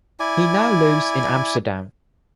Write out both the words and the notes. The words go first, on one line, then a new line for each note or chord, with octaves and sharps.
He now lives in Amsterdam.
E4 D5 G#5